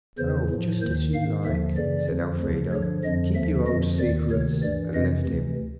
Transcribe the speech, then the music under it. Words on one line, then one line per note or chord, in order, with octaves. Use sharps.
"Oh, just as you like," said Elfrida; "keep your old secrets," and left him.
E2 C#3 E3 C5
A2 F3
D#2 D#3 C5
G#2 D#3 F5
D#2 D3 F3 E5
F#2 C#3 E3 D5
F2 D3 F3
D2 C#3 F3
G2 D3 F3 C#5
F2 D3 F3 D#5
D#2 D3 F3 E5
F2 D3 F3 D#5
D#2 D#3 D5
D2 C3 D#3 C#5
G2 E3 D5
F2 C3 E3 D#5
D2 C3 E3